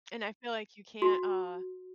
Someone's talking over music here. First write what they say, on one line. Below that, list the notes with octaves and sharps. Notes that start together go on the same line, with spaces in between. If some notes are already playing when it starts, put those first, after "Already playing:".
And I feel like you can't, uh
F#4